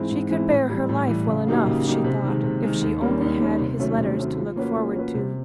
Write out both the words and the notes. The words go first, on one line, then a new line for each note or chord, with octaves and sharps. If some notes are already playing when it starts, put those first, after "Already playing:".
She could bear her life well enough, she thought, if she only had his letters to look forward to.
Already playing: G#2 E3 G#3 C4 E4
G#2
E3 G#3 C4 E4
A2
E3 G3
A2
E3 G3
C#3
F#3 A#3 D#4 G4
C#3
F#3 A#3 D#4 G4
C3
D#3 G#3
C3
D#3 G#3
D#2
D#3 G3 A#3 C#4
D#2
D#3 G3 A#3 C#4
C3
D#3 F#3 A3 C#4
C3
D#3 F#3 A3 C#4
F3
A#3 C#4 F#4 B4
F3
A#3 C#4 F#4 B4
C3